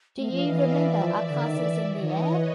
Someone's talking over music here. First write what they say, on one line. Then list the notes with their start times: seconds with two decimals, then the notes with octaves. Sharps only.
Do you remember our castles in the air?
0.17 A3 D#5 F5
0.31 F3
0.45 E3 D5 E5
1.01 F3 D5 E5
1.16 E3
1.30 D3
1.44 D#3
1.57 E3
1.86 C#5 D#5
2.00 D#3
2.14 E3 B4 C#5